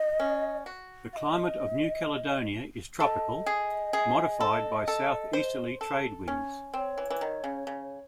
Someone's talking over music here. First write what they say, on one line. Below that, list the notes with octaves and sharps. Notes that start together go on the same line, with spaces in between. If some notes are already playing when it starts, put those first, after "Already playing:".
The climate of New Caledonia is tropical, modified by southeasterly trade winds.
Already playing: D#5
C#4
F#4
F5
D#5
A4 D#5
G#4
G#4
A4
A4
C5
A4
C#4
C4 C#5
E3
E3
D#3
C#3
C#3